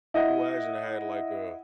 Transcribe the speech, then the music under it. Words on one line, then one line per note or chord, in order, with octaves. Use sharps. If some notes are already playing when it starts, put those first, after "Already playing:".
who hasn't had like, uh
E4 D#5 F#5